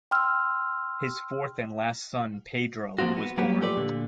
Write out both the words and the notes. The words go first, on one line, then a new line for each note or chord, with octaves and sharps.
His fourth and last son, Pedro, was born.
G5 C6 E6 F6
F3 A#3 C4 F4 F#4
B3
F#3 A#3 B3 C#4 F#4 G4
F3 A3 G4 B4 D5
A#2 D3